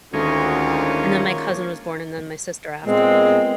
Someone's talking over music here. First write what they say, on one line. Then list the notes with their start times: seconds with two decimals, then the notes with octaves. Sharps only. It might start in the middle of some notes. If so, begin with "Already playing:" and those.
and then my cousin was born and then my sister after.
0.14 D2 D#3 G#3 A#3 C#4 F4 C#5
2.85 A#2 G#3 B3 C4